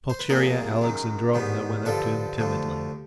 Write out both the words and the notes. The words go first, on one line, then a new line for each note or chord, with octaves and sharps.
Pulcheria Alexandrovna went up to him timidly.
C5
B4
C2 A#2 F3 A#3 G#4 A#4
F#2 D#3 F#3
G#2 D#3 G3 B3
G2 D3 F3 G4 A4
D2 D3 F3